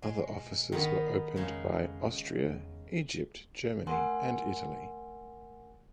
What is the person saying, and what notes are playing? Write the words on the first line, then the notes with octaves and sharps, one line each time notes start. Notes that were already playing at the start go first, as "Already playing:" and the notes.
Other offices were opened by Austria, Egypt, Germany and Italy.
B2 G#3
F1 D#3 B3 D#4 A#4
F2 C#3 G#3 D#4
E2
A3 A#4 F#5 G#5 C6